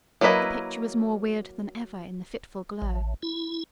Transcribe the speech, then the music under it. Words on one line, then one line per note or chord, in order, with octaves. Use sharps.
The picture was more weird than ever in the fitful glow.
F#3 A#3 E4 B4 D#5
A1
E4